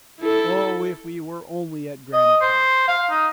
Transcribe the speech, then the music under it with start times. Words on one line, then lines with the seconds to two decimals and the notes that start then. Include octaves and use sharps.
"Oh, if we were only at Granite House!"
0.21 E4 A4
2.13 D#5
2.41 C5
2.88 F5
3.10 D#4